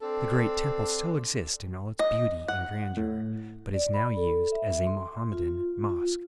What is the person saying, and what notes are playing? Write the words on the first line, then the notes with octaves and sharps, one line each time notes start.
The great temple still exists in all its beauty and grandeur, but is now used as a Mohammedan mosque.
C4 D4 A4
D#5
F#5
A2
D5
B5
A4
E5
C6
F4
F4